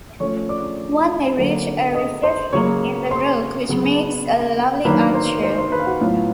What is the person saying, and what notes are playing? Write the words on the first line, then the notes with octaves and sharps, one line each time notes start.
One may reach a recession in the rock which makes a lovely armchair.
F3 A3 C#4 C#5 C#6
D5 D6
D3 F#3 A#3
D#5 D#6
C5 C6
C#3 F#3 A#3 C#5 C#6
C5 C6
C#3 F#3 B3
D#3 F#3 A#3 D4 B4 B5
C5 C6
C5 C6
C5 C6
B4 B5
F5
F#4 F#5
A2 F#3 B3 F4 F5